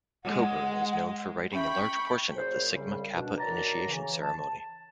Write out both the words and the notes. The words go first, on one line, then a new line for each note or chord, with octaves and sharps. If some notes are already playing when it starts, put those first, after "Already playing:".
Coburn is known for writing a large portion of the Sigma Kappa initiation ceremony.
G#3 F#5
C#4 E5 G5 B5 C#6
F#2 A#2 C#3 G#4 C5
C2 C#3 G3
B2 D4
D#3 F#3 D5 A5 A#5
C#3 E3
A5